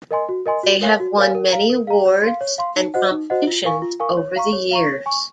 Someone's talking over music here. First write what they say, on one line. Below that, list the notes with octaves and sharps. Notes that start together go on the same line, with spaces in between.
They have won many awards and competitions over the years.
A#4 D#5 G#5 C6
F#4
A#4 D#5 G#5 C6
F#4
A#4 C#5 F5 G#5
F#4
A#4 C#5 F5 G#5
A#4
F5 A#5
A#4
F5 A#5
C#5
F5 C6
C#5
F5 C6
D#4
F#4 C5 D#5 F#5
D#4
F#4 C5 D#5 F#5
F4
A#4 F5 G#5 C#6
F4
A#4 F5 G#5 C#6
C#5
F5 A#5 C#6
C#5
F5 A#5 C#6
C#5
G#5 C#6